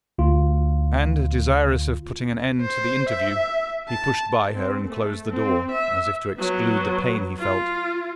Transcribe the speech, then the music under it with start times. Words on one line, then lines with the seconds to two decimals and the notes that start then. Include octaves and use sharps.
And desirous of putting an end to the interview, he pushed by her, and closed the door, as if to exclude the pain he felt.
0.19 D2 F4
2.62 C5
3.09 E5
3.89 A5
4.54 C4
4.86 A3
5.29 C4
5.71 E5
6.37 F#3 B3
7.38 F4